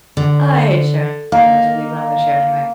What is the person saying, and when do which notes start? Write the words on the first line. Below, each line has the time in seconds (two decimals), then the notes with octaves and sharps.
I hate sharing this with you, but I'm gonna share it anyway.
0.17 D3
1.32 A#3 D#4